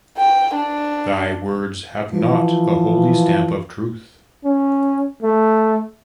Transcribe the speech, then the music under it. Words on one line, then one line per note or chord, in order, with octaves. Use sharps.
Thy words have not the holy stamp of truth.
G5
D4
E3 F3
C#4
A3